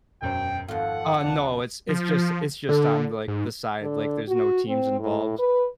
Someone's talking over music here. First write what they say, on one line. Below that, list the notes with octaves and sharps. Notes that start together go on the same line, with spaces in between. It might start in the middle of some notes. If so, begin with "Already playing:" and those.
Uh, no. It's it's just it's just on, like, the side, like, there's no teams involved.
E1 F#2 C5 G5
G#1 F2 F4 A4 F#5
C#2 D5 A5
F3
D3 A4
G#2
D3
F#4
C4
A2
B4